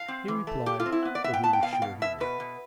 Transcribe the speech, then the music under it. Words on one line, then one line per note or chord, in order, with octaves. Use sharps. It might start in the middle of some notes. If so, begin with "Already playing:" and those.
He replied that he was sure he would.
Already playing: F5
C4
E3
A3
A3 G4
F4
C4
E4
B3
D5
B3 E5
G5
B3 A5
G5
B2 F5
G5
B2 F5
B2 E5
B2 B4
B2